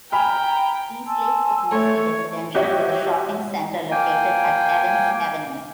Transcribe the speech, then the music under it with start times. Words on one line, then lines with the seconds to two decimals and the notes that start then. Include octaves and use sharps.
Eastlakes is mostly residential with a shopping centre located at Evans Avenue.
0.12 G5 G#5 A#5 B5 F6
1.06 G#5 A5 C6 E6
1.71 A3 A4 C#5
2.54 F#4 G4 C#5 D#5 E5
3.91 A#3 G5 G#5